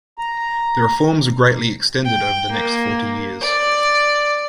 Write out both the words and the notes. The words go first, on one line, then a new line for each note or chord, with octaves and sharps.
The reforms were greatly extended over the next forty years.
A#5
G5
A#3
D5